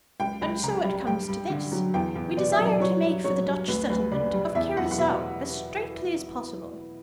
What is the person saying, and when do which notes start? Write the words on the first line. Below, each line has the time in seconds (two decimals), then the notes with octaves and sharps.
And so it comes to this: We desire to make for the Dutch settlement of Curacao as straightly as possible.
0.20 C#2 G5
0.41 C#2 B5
0.63 C#3 A#5
0.85 G3
1.07 G2 G5
1.29 G2
1.50 D3
1.72 F#3
1.94 E2 G5
2.16 E2
2.37 B2 D5
2.52 E5
2.59 F#3
2.66 D5
2.80 F#3 C#5
3.02 G2
3.24 F#3 C#5
3.46 G2
3.68 D2 B4
3.90 D2 B4
4.12 C#3 D5
4.33 G3
4.55 E2 E5
4.77 E2 F#5
4.91 F#5
4.98 B2 E5